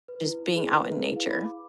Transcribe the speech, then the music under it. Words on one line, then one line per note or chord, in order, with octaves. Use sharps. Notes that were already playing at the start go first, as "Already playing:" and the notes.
just being out in nature.
B4
E4
E4
G#4
B4
E4
E4
F5
B5
D6